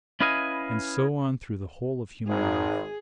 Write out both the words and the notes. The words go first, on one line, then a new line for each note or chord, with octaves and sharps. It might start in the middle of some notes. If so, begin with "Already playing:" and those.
And so on through the whole of human life.
C#4 E4 B4 D#5 F5 G#5
G#1 G#2 G#4